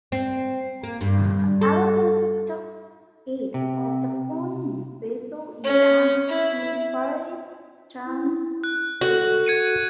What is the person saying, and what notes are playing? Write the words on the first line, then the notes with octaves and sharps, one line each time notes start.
Along the top edge of the phone bezel is an infrared transceiver.
C4
A#3
G2
A4
C3
C#4
E4
E4
F#6
F#4 A4
G#6 C#7 D#7